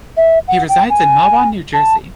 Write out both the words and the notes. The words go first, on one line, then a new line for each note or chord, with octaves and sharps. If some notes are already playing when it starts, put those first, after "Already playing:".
He resides in Mahwah, New Jersey.
E5
F#5
G5
G#5
A5